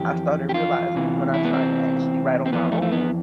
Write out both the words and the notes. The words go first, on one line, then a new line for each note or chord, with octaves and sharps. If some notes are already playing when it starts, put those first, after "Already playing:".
I started realizing when I tried to actually write on my own,
Already playing: F2 E3 G4
G4
F4
E2 C3 E3
E4
B3
C4
C4
F2 E3 B3
A3
A3
B3